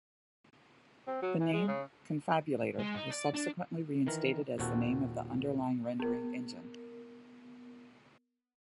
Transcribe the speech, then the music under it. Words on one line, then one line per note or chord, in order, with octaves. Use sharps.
The name Konfabulator was subsequently reinstated as the name of the underlying rendering engine.
C4
F#3
E3
G#3
C#3
G#3
D#4
D5
D4
D#3 E3 A#4
D#2 A#2 C4 F#4 A4
B3 A#4